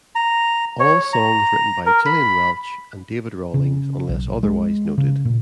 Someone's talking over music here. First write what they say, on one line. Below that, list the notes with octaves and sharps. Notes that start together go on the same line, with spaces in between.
All songs written by Gillian Welch and David Rawlings unless otherwise noted.
A#5
C#5
A#5
A#4
B5
C#3
B1
G#3
C#3
A#2